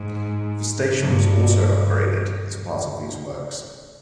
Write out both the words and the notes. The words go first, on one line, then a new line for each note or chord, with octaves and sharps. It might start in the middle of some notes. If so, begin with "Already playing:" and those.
The station was also upgraded, as part of these works.
Already playing: G#2
G2